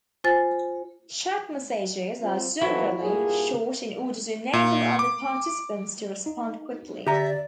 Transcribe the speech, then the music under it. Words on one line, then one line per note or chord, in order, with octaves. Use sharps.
Chat messages are generally short in order to enable other participants to respond quickly.
F4 C5 G#5 A6
C4 F4
F2 E3 F#3 E4 F#4
G2 A#2 G#4
A#2
D6
D#4
D3 G4 D5 E5 A#5